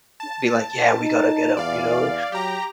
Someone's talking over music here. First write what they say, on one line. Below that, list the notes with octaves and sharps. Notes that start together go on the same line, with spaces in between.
be like, "Yeah. We gotta get him," you know,
A5
D#4
E2 D5 F5
F#3 G4 A#5